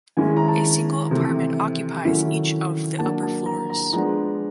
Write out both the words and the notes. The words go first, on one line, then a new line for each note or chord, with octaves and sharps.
A single apartment occupies each of the upper floors.
D#3 G#3 C#4 E4 G#5
A#5
A5
C3 E3 A3
D#3 F#3 A3 C#4 E4
F#3 A#3 D4 A5
A5
A#5
A#5
F3 G#3 B3 D4 A#5